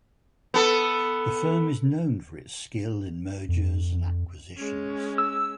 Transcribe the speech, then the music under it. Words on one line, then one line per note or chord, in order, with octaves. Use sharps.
The firm is known for its skill in mergers and acquisitions.
B3 A4
F2
G#3 C#4
E6